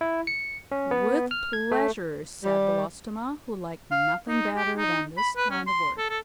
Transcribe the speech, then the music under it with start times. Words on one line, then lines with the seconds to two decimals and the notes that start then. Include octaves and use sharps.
"With pleasure," said Belostoma, who liked nothing better than this kind of work.
0.01 E4
0.27 C#7
0.71 C#4
0.91 B3
1.31 F6
1.53 G#6
1.71 A3
2.43 G3
3.91 F5
4.28 D#4
4.56 G4
4.77 D#4
5.17 B5
5.37 B4
5.50 C#4
5.67 C6
5.98 A4
6.10 A4